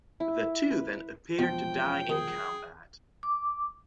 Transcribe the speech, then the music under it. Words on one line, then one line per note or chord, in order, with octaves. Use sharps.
The two then appear to die in combat.
E4
B4
E1 B2 F3 G5
D#3 G#4
D6